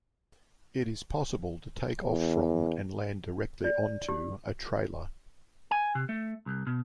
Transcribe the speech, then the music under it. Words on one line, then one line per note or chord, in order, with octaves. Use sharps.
It is possible to take off from and land directly onto a trailer.
E2
D5
G4
G#5
C3
A3
C2
B2